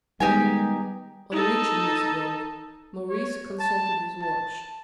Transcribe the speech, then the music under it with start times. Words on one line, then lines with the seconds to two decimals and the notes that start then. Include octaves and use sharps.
On reaching this grove, Maurice consulted his watch.
0.20 D#3 G3 G#3 B3 D#4 G4 G#5
1.32 D#4 A4
3.09 C#5
3.59 A5
4.22 A5